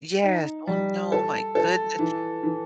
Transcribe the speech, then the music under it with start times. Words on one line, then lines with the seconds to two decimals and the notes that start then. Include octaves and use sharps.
Yes. Oh, no, oh my goodness.
0.23 D#4
0.67 G3
1.12 A4
1.55 A4
1.99 E3
2.43 E3